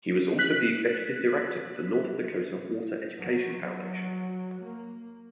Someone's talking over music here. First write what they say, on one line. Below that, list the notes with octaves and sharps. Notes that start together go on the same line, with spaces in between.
He was also the executive director of the North Dakota Water Education Foundation.
F#6 B6
F#3
A#3